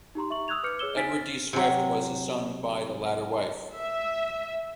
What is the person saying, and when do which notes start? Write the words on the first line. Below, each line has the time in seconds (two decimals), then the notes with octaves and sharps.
Edward D. Swift was his son by the latter wife.
0.15 D#4 G4 A#5 C6
0.30 E5 C#6 F#7
0.48 D#6 E6 F#6 G#6 F7
0.63 B4 D6 F6 G6 C#7
0.79 G#4 C#5 E6 E7 G7
0.96 D#4 G#5 F6 A6 B6 D7
1.53 C3 F#3
3.75 E5